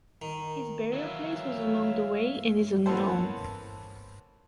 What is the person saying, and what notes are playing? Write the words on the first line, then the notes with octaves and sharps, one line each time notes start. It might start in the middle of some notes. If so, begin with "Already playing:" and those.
His burial place was along the way and is unknown.
D#3
E3 F#3 C#5 E5 F5
E3 A#3 B3 C#4 A4 C5